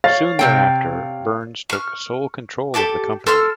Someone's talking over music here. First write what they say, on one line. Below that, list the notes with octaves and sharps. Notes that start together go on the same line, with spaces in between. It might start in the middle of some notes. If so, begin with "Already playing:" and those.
Soon thereafter, Berns took sole control of the company.
C#5 F5 A6
C3 C4 G5
C#6 F6
G4 A4 A5 D6
A4 C6 E6 F6